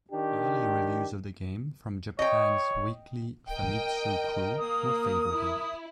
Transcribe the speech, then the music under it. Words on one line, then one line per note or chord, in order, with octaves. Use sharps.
Early reviews of the game from Japan's "Weekly Famitsu Crew" were favorable.
D#3 D4 G4
C#5 D#5 G5
A#4 D#5 G5
A#3 D#6
E4